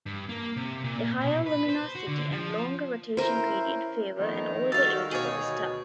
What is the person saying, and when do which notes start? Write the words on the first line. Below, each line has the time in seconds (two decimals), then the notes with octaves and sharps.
The higher luminosity and longer rotation period favour an older age for the star.
0.06 G2
0.29 A#3
0.56 C3
0.84 A#2
1.21 B2
1.46 B4
1.69 C5
1.95 F#4
2.08 D3
2.32 F3
3.17 C#4 E4 A#4 C5
4.17 D#3 F3 A3 B3
4.72 G3 F#4 A4 F5
5.11 D2 B2 G#4 C#5